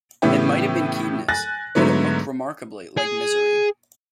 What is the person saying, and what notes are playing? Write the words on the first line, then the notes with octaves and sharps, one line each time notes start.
It might have been keenness, but it looked remarkably like misery.
A2 C#3 E3 B3 E4 G4
G#5 F#6 A6 A#6
G#2 D3 F#3 A3 B3
G#4